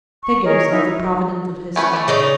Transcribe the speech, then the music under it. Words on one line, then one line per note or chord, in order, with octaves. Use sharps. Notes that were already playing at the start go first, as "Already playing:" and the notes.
Figures are the providence of history.
C#6
G#4 A#4 C#5 D#5
D#4 E4 E5
A3 C#4 B4
E3 A3
C#3 D#4 D5